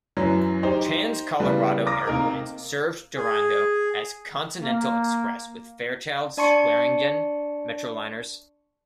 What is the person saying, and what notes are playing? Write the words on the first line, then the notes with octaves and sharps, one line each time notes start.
Trans-Colorado Airlines served Durango as Continental Express with Fairchild Swearingen Metroliners.
F#2 E3 F#3
D#4 G4 C5
C#3 E3 G3 B3
A#4 D6 D#6 A#6
C3 A#3 D#4 A#4
G#4
A#3
D4 D5 A5 C6 C#6 C#7